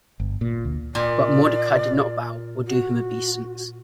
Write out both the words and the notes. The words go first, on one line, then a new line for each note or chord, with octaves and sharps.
But Mordecai did not bow, or do him obeisance.
G1
A#2
D2
A#2 D5
F#4